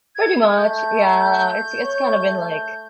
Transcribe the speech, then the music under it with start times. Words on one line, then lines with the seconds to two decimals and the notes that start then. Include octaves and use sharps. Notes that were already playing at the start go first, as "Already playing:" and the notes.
Pretty much, yeah, it's it's kinda been like
0.15 G#6
0.56 A3 G6
1.81 C#5
2.17 A3